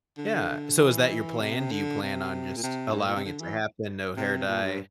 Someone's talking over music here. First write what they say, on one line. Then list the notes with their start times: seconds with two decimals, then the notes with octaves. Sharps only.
Yeah. So, is that your plan? Do you plan on just allowing it to happen? No hair dye?
0.17 D3
0.80 E3
1.41 C3
1.72 D3
2.02 C3
2.57 A#2
2.63 C3
2.91 G2
2.99 A2
3.07 A#2
3.16 C3
3.25 D3
3.40 E3
4.17 C3
4.47 A#2
4.63 G2